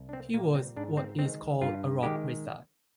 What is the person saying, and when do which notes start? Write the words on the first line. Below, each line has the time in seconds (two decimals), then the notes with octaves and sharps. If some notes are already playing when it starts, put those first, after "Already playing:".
He was what is called a rock lizard.
Already playing: C2
0.09 D4
0.13 C4
0.34 A#2 G3 A#3
0.55 C4
0.76 G#2 D4
0.97 C4
1.19 D#3 G#3 C4
1.62 G2 F4
2.03 D#3 G#3 G4